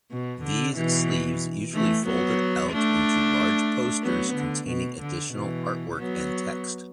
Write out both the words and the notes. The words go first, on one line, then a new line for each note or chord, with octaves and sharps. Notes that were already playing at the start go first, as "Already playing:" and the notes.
These sleeves usually folded out into large posters containing additional artwork and text.
B2
D3
B2 E3
E3 A3
F#3 B3
A3 D4
F#3 B3
D3
B2
D3
B2 E3
F#3 B3